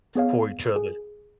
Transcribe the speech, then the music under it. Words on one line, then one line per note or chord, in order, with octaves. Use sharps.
for each other
B3 G#4 C#5 F5
G#4